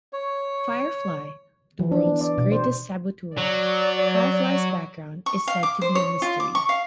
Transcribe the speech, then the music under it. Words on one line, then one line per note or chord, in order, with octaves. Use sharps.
Firefly - The world's greatest saboteur, Firefly's background is said to be a mystery.
C#5
E3
D4
B3
D5
B2
C5
F#3 D5
C#6
F5
D6
C5
C#5
F4
D6
C#6
F5